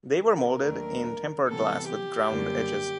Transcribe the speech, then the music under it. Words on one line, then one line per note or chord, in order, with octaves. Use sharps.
They were molded in tempered glass with ground edges.
A#4
D#2 D#3 F#3 A3 D4
C3 E3 G3 B3 A4
G4
F#2 D3 G3 A#3 D4